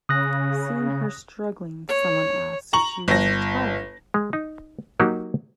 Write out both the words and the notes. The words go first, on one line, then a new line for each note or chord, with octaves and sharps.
Seeing her struggling, someone asked if she wasn't tired.
C#3 D#6 F#6 A#6
C#5
A#5 C#6 F#7
G1 A#6
G#3
D#4
F#3 A#3 D#4 F#4 G4